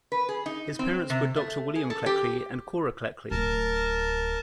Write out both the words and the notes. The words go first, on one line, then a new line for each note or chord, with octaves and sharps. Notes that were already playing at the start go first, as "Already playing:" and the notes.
His parents were Doctor William Cleckley and Cora Cleckley.
B4
G#4
D#4
C4
C3
A3
G#4
A4
G4
D1 A#4 A5